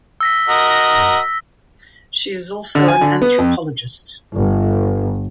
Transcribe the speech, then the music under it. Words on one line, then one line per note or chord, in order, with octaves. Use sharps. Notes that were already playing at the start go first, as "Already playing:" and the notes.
She is also an anthropologist.
E6 A#6 B6
F#4 A#4 D#5
D3
G#5
D3
B3
F2
G1